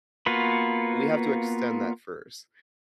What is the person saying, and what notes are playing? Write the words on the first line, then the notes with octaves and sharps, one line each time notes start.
we have to extend that first.
A#3 B3 F4 F#4 B4